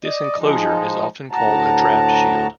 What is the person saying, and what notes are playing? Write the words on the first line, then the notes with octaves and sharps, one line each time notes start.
This enclosure is often called a draft shield.
D5 D#5
F3 G#3 D#4
D2 A2 F#4 A5 A#5